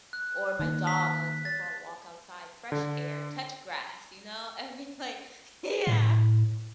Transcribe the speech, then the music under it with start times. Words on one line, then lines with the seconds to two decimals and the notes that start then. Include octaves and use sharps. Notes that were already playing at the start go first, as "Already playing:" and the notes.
or my dog, I like to go for a walk outside, fresh air, touch grass, you know? I'd be like Yeah!
0.13 F#6
0.59 D#3 A#3
0.87 B6
1.45 A6
2.72 D3
5.87 A2